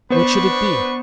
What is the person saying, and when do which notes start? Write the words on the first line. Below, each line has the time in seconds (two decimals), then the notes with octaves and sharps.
What should it be?
0.10 B3 D4 B4 C5 C#6